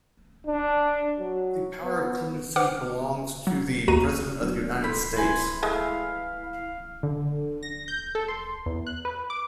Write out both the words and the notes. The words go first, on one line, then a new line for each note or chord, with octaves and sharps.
The power of clemency belongs to the President of the United States.
D4
F#3
B3
B4 C5 F#5 D6 F6
F#3
A1 D#2 F#4 A#5 D#7
F#3 B3 D4
A4 B5 C6
A#1 E4 B4 G#5 B6
G#3 A3 F5
F5
D3
A#6
G6
A4
C6
E2
F#6
B4
D6